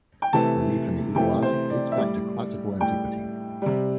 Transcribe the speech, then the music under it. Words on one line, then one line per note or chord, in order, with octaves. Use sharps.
Belief in the evil eye dates back to Classical antiquity.
G5
C3 E3 A3 A5
C3 E3 A3 G5
C5
D5
E5
A2 G3 D5
A2 G3 G5
C3 G3